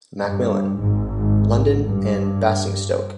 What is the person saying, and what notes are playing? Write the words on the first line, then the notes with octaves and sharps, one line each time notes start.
Macmillan: London and Basingstoke.
G2
G#1 G#2
G2